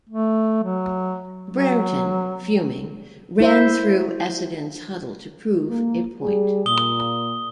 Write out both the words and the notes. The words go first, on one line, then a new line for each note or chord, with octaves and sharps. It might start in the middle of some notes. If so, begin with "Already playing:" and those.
Brereton, fuming, ran through Essendon's huddle to prove a point.
A3
F#3
F#3
E4 C5 E5
A#3
G3 G#4
A#2 D#6 G7